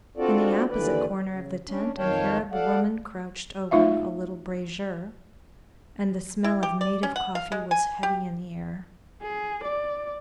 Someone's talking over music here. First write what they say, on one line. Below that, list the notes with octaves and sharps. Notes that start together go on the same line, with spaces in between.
In the opposite corner of the tent an Arab woman crouched over a little brazier, and the smell of native coffee was heavy in the air.
C4 D4 F4 F#4 A4 D5
D#2 D3 E3 B4 D5
C#3
C#4 D4
F2 D#3 C#5 F5 G5 A5
A4 D5 F5 F#5
A3 D#4 F4 E5 F5
E4
G4
D5
C#4
F#5
F5
G#3
G#5
G4
G#4
D5